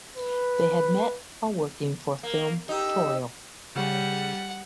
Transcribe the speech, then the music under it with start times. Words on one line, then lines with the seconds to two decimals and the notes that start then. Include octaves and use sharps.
They had met while working for "Film Pictorial".
0.17 B4
2.23 A#3
2.69 D#4 G4 E6
3.76 C#3 G3 F#5